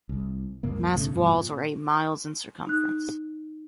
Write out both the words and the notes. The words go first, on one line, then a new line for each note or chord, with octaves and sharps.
Massive walls were eight miles in circumference.
C2
C2 F2 A#2 A#3
B1 A2 C#3 A3
E2 G2 B2 F3
A#2
D#4 F#6